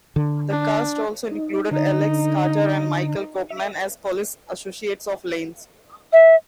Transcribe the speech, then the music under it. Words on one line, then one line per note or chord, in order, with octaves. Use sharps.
The cast also included Alex Carter and Michael Copeman as police associates of Lane's.
D3
D4
D#4
D3 D#4
E5
E5